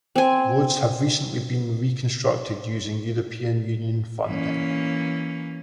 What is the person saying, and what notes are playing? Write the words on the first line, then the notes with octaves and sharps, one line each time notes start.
Roads have recently been reconstructed using European Union funding.
C4 G#5
E3 A#3 C#4